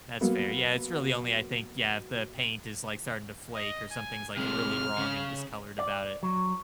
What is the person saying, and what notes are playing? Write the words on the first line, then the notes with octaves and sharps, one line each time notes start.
That's fair. Yeah, it's really only, I think, yeah, if the paint is, like, starting to flake or something's, like, really wrong and discolored about it.
F#3 A#3 B3
D#5
G#5
C3 G#3 F6
C#3
D5
F#3